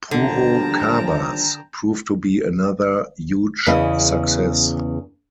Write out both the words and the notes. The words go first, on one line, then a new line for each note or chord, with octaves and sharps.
"Puro Cabas" proved to be another huge success.
D#2 D3 F3 G3 D4 G5 A5 A#5
E2 C#3 B3 E4 D#5